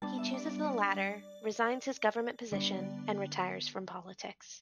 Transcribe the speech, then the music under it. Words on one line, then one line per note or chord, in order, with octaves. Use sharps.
He chooses the latter, resigns his government position and retires from politics.
G3 B3 D4 A5
E5
D5
D5
D5
D3 G3 B3 D4 D5
D5